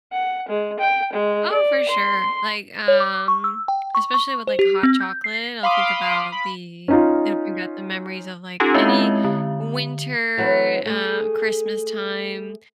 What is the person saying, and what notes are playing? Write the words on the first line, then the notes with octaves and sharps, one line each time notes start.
oh, for sure. Like, um, especially with, like, hot chocolate, I'll think about the it'll bring back the memories of, like, any winter, uh, Christmas time
F#5
G#3
G5
G#3
D5
C6
C#5
D6
C#6
E6
G5
C#6
C#6
C5
G4
C4
G6
C7
F5 B5 C6 D6 D#6
B5
C#4 D#4 F4
C#4 D#4 F4 G4 A4
G#3 C4 E4 D#5 E5
D3
E3 F#3 C4 B4 C#5
A3 G#4